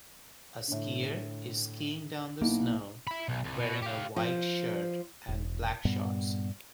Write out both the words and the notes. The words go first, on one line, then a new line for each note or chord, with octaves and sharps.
A skier is skiing down the snow wearing a white shirt and black shorts.
A2 D3
B1 A#3 D#4 E4
E5 B5
B1
C2
B2
G4 F5
F3
E1
G2 A#2 G3 B3